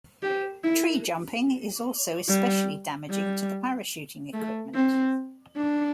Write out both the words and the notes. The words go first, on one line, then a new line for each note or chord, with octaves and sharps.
Treejumping is also especially damaging to the parachuting equipment.
G4
E4
G3
G3
A3
C4
D4